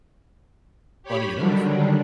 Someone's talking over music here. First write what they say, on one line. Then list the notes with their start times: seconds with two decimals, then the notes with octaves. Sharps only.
funny enough
1.03 G4 C#5 B5
1.37 D3 D#3 F#3 G3 D4